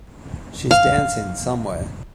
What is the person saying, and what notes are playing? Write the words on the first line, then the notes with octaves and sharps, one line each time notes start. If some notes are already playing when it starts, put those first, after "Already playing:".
She's dancing somewhere.
F5